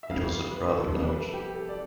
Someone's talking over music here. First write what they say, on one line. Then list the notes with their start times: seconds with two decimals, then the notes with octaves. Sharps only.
It was rather large.
0.03 E5
0.10 F2 C3 G3 B3 F5
0.31 F5
0.51 B4
0.72 A4
0.93 F2 C3 G3 B3
1.03 B4
1.13 A4
1.33 G4
1.50 G4
1.55 A4
1.69 D5